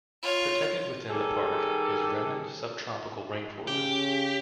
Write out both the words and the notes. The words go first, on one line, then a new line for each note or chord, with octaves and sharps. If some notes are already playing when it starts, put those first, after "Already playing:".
Protected within the park is remnant subtropical rainforest.
F4 C#5
D#3 G3 G#4 A4
C#3 G4